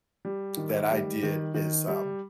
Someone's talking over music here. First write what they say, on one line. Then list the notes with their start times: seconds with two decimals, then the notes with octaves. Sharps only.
that I did is, um,
0.25 G3
0.57 D#3
0.91 G3
1.23 D#3
1.54 D#3
1.88 G3